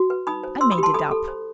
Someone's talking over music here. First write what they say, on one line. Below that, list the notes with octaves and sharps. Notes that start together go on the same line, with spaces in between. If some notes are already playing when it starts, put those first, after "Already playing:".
I made it up.
Already playing: F#4
B4
D#4 B5 D#6
C5
C5 C6 E6
B5 D#6
G4
A5 C6
A4 B5 D#6
A4
C5